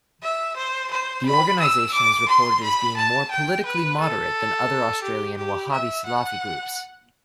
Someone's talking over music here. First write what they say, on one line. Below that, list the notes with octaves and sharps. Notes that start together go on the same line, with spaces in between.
The organisation is reported as being more politically moderate than other Australian Wahhabi-Salafi groups.
E5
C5
C5
B5
E6
D6
C6
B5
A5
G5
B4
A4
G4
G4
E5
F#5